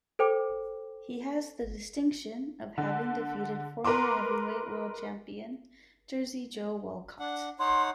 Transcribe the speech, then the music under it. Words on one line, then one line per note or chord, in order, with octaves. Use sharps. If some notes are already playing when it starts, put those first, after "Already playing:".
He has the distinction of having defeated former heavyweight world champion Jersey Joe Walcott.
A4 C5 G5 D6
D3
A#4 B4 A#5 C6 D6
D4 F#5
D#4 C#5 F#5 C6